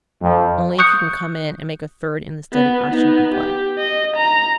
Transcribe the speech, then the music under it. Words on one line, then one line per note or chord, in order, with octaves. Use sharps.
Only, if you can come in and make a third in the study, I shall be glad.'
F2
C#6 D#6 F#6 G6 C#7
B3
B3 D#4
G4
D#5
A#5